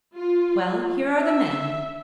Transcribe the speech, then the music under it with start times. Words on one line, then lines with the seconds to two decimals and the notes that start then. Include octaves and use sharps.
"Well, here are the men."
0.14 F4
1.18 E5